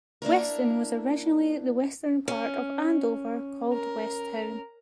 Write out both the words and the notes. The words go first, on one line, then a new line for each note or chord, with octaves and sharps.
Weston was originally the western part of Andover called West Town.
A#3 D4 E4 A#4
C#4
A#4